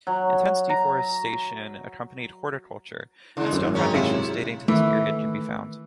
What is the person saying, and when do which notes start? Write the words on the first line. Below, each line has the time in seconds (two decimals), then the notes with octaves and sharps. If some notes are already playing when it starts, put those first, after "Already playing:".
Intense deforestation accompanied horticulture, and stone foundations dating to this period can be found.
0.07 F#3
0.69 A#5
3.37 C#3 G#3 E4
3.53 G#1 F#2 C3
3.75 D#3 C#4 G#4 C#5 A#5
3.94 C3 E4 F5 C#7
4.68 D#3 E3 A3